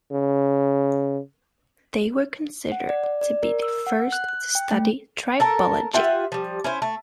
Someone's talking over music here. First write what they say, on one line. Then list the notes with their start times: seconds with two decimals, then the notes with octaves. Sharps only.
They were considered to be the first to study trybology.
0.12 C#3
2.72 F#5
2.89 D5
3.04 D5
3.21 D5
3.43 A#4
3.62 E6
3.87 F#5
4.12 F#6
4.29 F#6
4.55 G5
4.72 A3
5.40 A4 A#4 A5
5.94 F4 G4 E5 F#5
6.32 F3 G3
6.64 C#4 E4 C5
6.82 A3